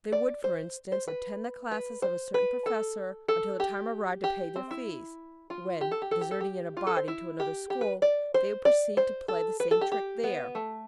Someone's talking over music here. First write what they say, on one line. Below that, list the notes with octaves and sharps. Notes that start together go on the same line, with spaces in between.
They would, for instance, attend the classes of a certain professor until the time arrived to pay their fees, when, deserting in a body to another school, they would proceed to play the same trick there.
D5
C5
C5
B4
B4
C5
B4
A4
A4
G4
G4
C4
E4
F4
G4
A4
G4
A4
G4
A4
G4
F4
A4
C5
E4
G4
G4
B4
D5
C5
D5
C5
A4
B4
A4
G4
G4
B3
A3